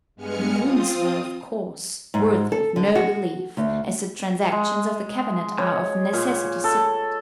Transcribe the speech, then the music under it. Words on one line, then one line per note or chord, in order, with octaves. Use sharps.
The rumours were, of course, worthy of no belief, as the transactions of the Cabinet are of necessity secret.
G2 G#3 B3 G#5 F6 C#7
C4 F4 D#6
G#2
A4
D3
F#4
D2
G#3
C#5
A#2
A4